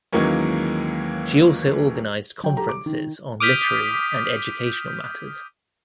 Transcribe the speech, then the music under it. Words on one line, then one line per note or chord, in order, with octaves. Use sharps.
She also organised conferences on literary and educational matters.
D#2 E3 F#3 G#3 A#3 C#4
F#3 G5
G4 A4 A#5
D6
D#3
D6 D#6 F6 G6 B6